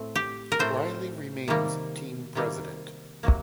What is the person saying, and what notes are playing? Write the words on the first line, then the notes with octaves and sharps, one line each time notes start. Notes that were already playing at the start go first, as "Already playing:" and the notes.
Riley remains team president.
Already playing: A2 A3 C4
G4
A#4
A2 A3 C4 C5
C3 D#3 G3 A#3
C3 D#3 G3 A#3
C3 F#3 A#3